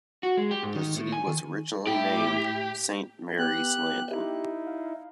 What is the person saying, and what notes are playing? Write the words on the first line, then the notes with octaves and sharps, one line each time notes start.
The city was originally named Saint Mary's Landing.
F#4
G#3
G4
G#2
D#3
A2
G#5
D#3
A2 E4 G4
B3 G4 F#6
D#4 E4 G4
F5